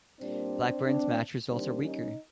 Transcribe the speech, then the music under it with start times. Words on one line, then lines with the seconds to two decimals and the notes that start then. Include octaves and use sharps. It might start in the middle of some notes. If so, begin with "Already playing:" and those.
Blackburne's match results are weaker.
0.19 A#2 G3 A#3 C4 D4
0.84 C4 D4
1.50 D#3 G3 A#3 C4 D4
1.81 C#4 D#4